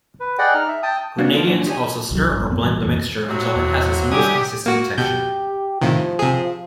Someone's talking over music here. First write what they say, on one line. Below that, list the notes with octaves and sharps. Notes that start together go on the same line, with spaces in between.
Grenadians also stir or blend the mixture until it has a smooth consistent texture.
B4
G#4 D5 D#5 F#5 G5
D#4 F6
E5
G5 A5 D#6
A#3 B3 C#4 D4 F#4
E2 F3 B3 F4 A4
A#2 F#3 D4
D#4 G4 C5 C#5 G#5
C2 F3 F#3
G#1 G2
F2 B3
A#1 A2 E3 G3
F2 E3 A#3
G2 C3 F#3
E2
G#2 E3 F#3 G3 G4 G#5 D#6
A#3 F#4
B2 G4 G6
A2 C3 D#3 F3
C3 G#4